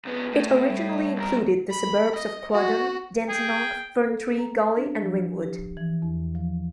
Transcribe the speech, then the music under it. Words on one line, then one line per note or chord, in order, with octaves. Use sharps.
It originally included the suburbs of Croydon, Dandenong, Ferntree Gully and Ringwood.
C#2 B3
A2 A3
G3
B1 A#4
B5
D#5
F#4
G#4 G5
A4
A#5
D4
F3
G4
E3
E2
F3